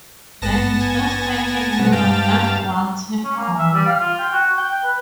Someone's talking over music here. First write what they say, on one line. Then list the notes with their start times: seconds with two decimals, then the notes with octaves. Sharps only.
There is no State in Europe that wants him gone.
0.42 G#1 G2 B3 A5 A#6
0.81 G#5
1.79 B2 G3 C4 F#5
1.92 G2 F5 G5 A5
3.24 C#4
3.36 A#3
3.58 E5
3.73 G3
3.86 F5
4.00 F4
4.19 G5
4.32 F#4
4.58 G5
4.84 B4